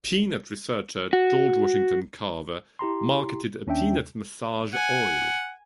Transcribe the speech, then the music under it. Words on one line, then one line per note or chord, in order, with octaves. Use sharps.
Peanut researcher George Washington Carver marketed a peanut massage oil.
F#4
E4 G4 A#5 C6
D#2 C#4 D4 E5 G5
F#5 G#5